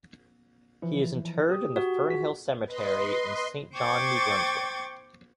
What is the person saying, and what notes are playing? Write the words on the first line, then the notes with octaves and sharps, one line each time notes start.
He is interred in the Fernhill Cemetery in Saint John, New Brunswick.
E3 F3 E4
G4 D#6
F#4
F4 G#4 B6
B4 D#5 C6
C5 G5 C#6 D6 G#6 A6